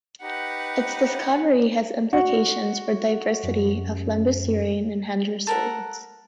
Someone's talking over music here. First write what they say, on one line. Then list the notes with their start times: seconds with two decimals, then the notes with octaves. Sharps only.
Its discovery has implications for the diversity of lambeosaurine hadrosaurids.
0.22 D#4 G4 B4 F#5
2.13 F#4
3.43 F#2
5.47 A4 A#4 F#5